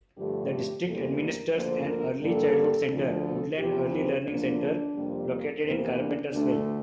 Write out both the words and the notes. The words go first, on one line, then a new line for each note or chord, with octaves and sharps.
The district administers an early childhood center, Woodland Early Learning Center, located in Carpentersville.
G2 D3 F3 A3 G4
G4
E2 C3 E3 G3 A#3 A4
A#4
D2 D3 F3 A#3 C5
A#4
G2 D3 G3 A#3 A4
D2 D3 F3
A4
E2 C3 F3 G4
C4
D2 D3 F3 A#3 D4
F2 C3 G3 A#3
E2 C3 E3 A#3 C4
D4
D2 D3 A3 D4